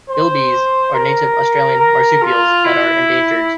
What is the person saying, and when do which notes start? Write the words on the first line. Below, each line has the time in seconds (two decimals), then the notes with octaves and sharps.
Bilbies are native Australian marsupials that are endangered.
0.09 C5
0.94 A#4
1.80 A#4
2.23 F4
2.65 E4